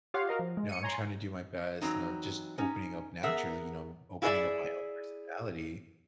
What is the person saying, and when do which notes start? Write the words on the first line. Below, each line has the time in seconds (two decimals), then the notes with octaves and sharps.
you know, I'm trying to do my best, you know, just opening up naturally, you know, opening up my own personality.
0.14 F4 G4 C#5 F5 F#5
0.27 F#4 A#4 D#5 F5
0.39 F3
0.57 G#3
0.69 C#7 D#7
0.83 C#5 G#5 A#5 C6
1.81 E3 F#3 C4 D#4
2.58 C#4 D#4
3.23 B3 G#4 A#4 E5 F#5
4.22 E4 F4 G#4 C5 D5 E5